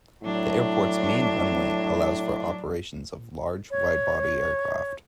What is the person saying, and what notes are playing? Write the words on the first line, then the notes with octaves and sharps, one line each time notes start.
The airport's main runway allows for operations of large, widebody aircraft.
A2 F#3 D4
C#5